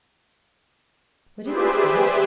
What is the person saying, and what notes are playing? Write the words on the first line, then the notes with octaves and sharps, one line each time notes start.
"What is it, sir?"
G4 G#4 B4 C5 D5 E5